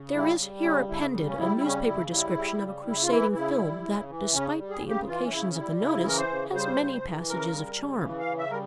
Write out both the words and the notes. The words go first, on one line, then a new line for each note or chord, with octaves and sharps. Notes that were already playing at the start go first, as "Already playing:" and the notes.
There is here appended a newspaper description of a crusading film, that, despite the implications of the notice, has many passages of charm.
Already playing: C#3
G3 E4
G3
C#3 C#4
C#3 E4
G3
C#4
G3 E4
E4
C#3 C#4
C#3 E4
G3 E4
G3
C#3
C#3 E4
F4
E3 E4
C#3 E4
G3
C#3
E3
C#3 C#4
G3
G#4
C#3
G4
E3 F4
C#4
C#3 E4
C#4
G3 E4
C#3 E4
E3 A#4
C5
C#3
G3 C5
C#3
E3
C#3 A#4
G3
C#3
E3
F5
C#3
E5
G3 A#4